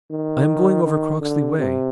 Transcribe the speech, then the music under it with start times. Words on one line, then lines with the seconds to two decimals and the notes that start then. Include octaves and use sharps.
"I am going over Croxley way."
0.10 D#3
0.84 D#3
1.21 D3
1.58 C3